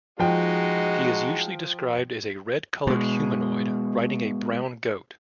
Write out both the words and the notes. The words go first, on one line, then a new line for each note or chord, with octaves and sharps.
He is usually described as a red coloured humanoid, riding a brown goat.
F3 G#3 D#4 F#4 G5
B2 G#3